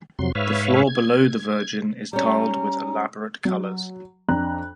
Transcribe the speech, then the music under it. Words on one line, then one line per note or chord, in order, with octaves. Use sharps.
The floor below the Virgin is tiled with elaborate colors.
F2 C3 F#3 C6
G#2 B4 C#5 E5 F5
G#6
G3 C#4 A#5
F#3
F2 D4 A#5 F#6